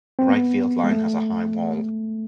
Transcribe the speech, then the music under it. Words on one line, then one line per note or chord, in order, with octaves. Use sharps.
The right field line has a high wall.
C4
B3
G#3
A3